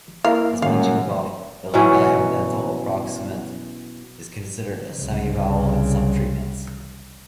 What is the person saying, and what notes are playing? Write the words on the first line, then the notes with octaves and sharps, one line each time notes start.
As mentioned above, the labiodental approximant is considered a semivowel in some treatments.
A#3 E4 A#4 E5 F5
F#2 D#3 G3 G#3 F5
B2 E3 F#3 C#4
C2 C#3